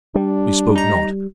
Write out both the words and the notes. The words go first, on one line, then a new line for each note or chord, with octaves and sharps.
We spoke not.
G3 D4
D#4 A#5